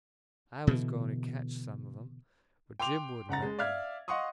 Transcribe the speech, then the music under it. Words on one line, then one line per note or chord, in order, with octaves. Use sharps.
I was going to catch some of them, but Jim wouldn't let me.
B2 D3 E3
G5 C6 D6 F7
F#1 F#5 A#5 A6
G#3
D5 E5 F5 F6 G#6
D#5 F5 F#5 C6 C#6 D#6